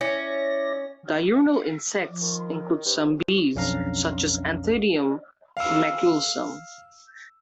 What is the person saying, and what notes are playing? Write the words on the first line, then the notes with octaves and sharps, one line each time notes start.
Diurnal insects include some bees, such as Anthidium maculosum.
C#4 E4 D5 A#6
F3
D#3
G2 C5
B1 F2 C#4 D4 F5 A#5
F5 E6